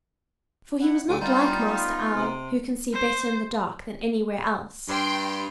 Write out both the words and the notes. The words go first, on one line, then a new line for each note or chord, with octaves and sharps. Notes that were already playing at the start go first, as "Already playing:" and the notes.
For he was not like Master Owl, who can see better in the dark than anywhere else.
E4 F#5
D2 C#3 F3 D4
G3 B3 D#4 F4
C3
C5
G2 G5 C6 D7